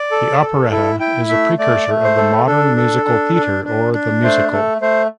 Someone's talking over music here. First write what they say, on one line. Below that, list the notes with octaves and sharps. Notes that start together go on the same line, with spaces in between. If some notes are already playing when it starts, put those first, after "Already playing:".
The operetta is a precursor of the modern musical theatre or the "musical".
Already playing: D5
A4
A4
E4 A4
E4 G5
A3 E5
A3 D5
A3
C5
A4
D4 A4
A4
D4
D4
D4
D4
A3 C5
A3 A4
A3 C5